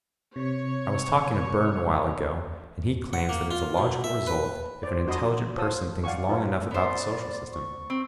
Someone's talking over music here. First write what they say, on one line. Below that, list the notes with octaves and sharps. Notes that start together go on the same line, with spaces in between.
I was talking to Burne awhile ago, and he claims that it's a logical result if an intelligent person thinks long enough about the social system.
C3 C#5
F#5
A#3
F4
B2
E5
B4
C5 D5
D4 F#4 D#5 B5 C6 D#6
F4 C5 C#5 A5 D#6 E6
D5 F5 F#5 G#5 C#6
D#4 F4 B4 C#5
B3 C5 D5
C#6
C4